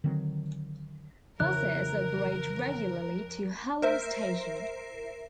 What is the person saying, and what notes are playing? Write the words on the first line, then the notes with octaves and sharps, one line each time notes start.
Buses operate regularly to Hallam station.
D3 D#3 F#3 C4
F2 C#3 E3 F3 E4 A#4 C#5 F#6
A#4 C5 E5